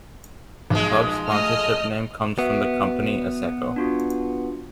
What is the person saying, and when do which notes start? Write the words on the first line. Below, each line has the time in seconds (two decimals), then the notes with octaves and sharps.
The club's sponsorship name comes from the company Asseco.
0.70 B1 F3 G#3
1.28 A3 D#5 F6
2.39 B3 F#4 E5
3.76 D4 F4 F#4